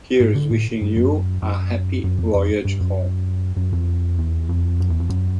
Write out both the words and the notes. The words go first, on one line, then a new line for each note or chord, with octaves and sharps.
Here's wishing you a happy voyage home.
G#2
D3
A2
G2
F#2
F#2
F#2
F2
F2
G2
F#2
F#2
F2
E2
F2
F#2
E2
F2
F#2